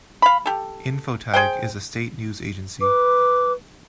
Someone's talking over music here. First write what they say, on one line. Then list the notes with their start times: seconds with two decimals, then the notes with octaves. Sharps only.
Infotag is the state news agency.
0.22 F5 B5
0.46 G4 A4
1.34 G#4 C5 G5
2.81 B4 D6